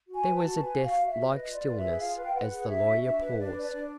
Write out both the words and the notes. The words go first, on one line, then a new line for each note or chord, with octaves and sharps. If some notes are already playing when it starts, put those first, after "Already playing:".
There was a death-like stillness as the lawyer paused.
F#4
G#5
B4
A5
F#4
B4 G#5
F#4
F5
F#4
E5
F#4
B4 D#5
F4
D5
B4
E5
G#4
F4 F5
B4
G5
B4 F#5
G#4
D4 E5
F#4
D4 E5
B4
D4 D5
B4
D5
D4